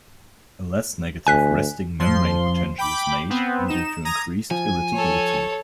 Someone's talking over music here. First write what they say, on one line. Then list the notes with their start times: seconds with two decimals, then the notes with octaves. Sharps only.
A less negative resting membrane potential is made, leading to increased irritability.
1.27 D2 G#5 F#6 B6
1.99 F2 F3 C6
2.78 G5 B5 D6
3.30 B3 C4
3.68 D#4 E7
4.05 A#5 D#6 G#6 A#6
4.51 F3 G#5
4.94 A4 C#5